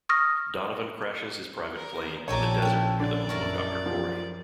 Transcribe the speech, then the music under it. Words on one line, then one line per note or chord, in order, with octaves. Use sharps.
Donovan crashes his private plane in the desert near the home of Doctor Cory.
C#6 D#6 F6 A#6
A#4
A#1 D4 G4 A4 C#5 G#5 A#5 D6
C#4 E4 A4 G5
D3 D4 D5
F#2 E4 A#4 C#5
F3